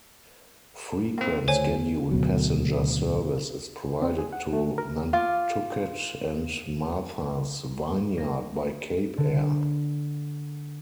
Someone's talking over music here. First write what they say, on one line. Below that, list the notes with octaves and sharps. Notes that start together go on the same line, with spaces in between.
Frequent scheduled passenger service is provided to Nantucket and Martha's Vineyard by Cape Air.
A#3 C4
D2 C5 C#5 G#5
D2 B2 F#3
C4
G#4
F#5
A3
A#4
F4 F5 D6
A#3 A#6
D3